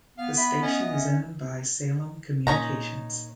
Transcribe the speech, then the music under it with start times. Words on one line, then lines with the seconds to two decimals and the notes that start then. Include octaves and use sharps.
The station is owned by Salem Communications.
0.18 B3 F5
0.37 E5 B5
0.62 C#4 D#5
0.91 C#4
2.47 A#2 C#4 D#4 A#5